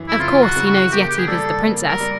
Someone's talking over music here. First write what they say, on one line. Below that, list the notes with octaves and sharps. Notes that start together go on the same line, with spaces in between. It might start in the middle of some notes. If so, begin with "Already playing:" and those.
Of course, he knows Yetive is the princess.
Already playing: F#2 E3
E4
C#3 F4
F#4
C#3
F#4
A#3 G4
G4
G#4
G3 A4
A#3
A#4
G3